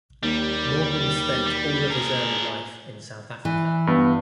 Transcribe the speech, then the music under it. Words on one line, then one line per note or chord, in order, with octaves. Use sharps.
Morgan spent all of his early life in South Africa.
D#2 G3
G3
G#4 A#4
E3
G2 B3